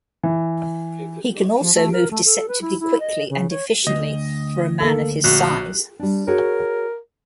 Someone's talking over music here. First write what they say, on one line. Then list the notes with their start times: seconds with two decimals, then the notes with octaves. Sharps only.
He can also move deceptively quickly and efficiently for a man of his size.
0.23 E3
1.61 F3
1.75 A3
1.92 A#4
2.11 A3
2.25 A4
2.48 B4
2.61 E4
2.80 E4
3.00 D#5
3.30 C#3
3.50 C#5
3.87 D2 D#5
4.80 A#3 A4
5.24 A#1 F#4 F#6
5.99 G3 D4
6.28 F#4 G#4 A#4 C#5